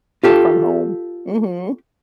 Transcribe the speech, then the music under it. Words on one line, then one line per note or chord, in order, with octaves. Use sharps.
Yeah, from home. Mhm.
F4 G4 A4